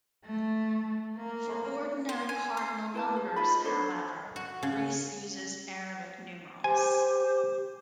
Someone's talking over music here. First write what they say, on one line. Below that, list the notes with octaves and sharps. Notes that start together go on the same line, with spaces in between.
For ordinary cardinal numbers, however, Greece uses Arabic numerals.
A3
A#3
C5
G#5
C5
E4 B4 A5
G#4
D#4 F4 B4 B5
D4 A4 C5 C#5
F#4
C#3
G4 C5 G#5